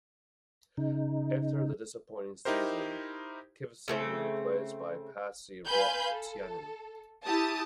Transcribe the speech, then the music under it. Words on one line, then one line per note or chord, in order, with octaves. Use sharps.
After the disappointing season, Kivisild was replaced by Pasi Rautiainen.
C#3 D#4
D#4 E4 G4 A#4 C5
C#3 A3 C4
B4 F5 G#5 B5 C6 G6
A4
E4 G4 A5 D#6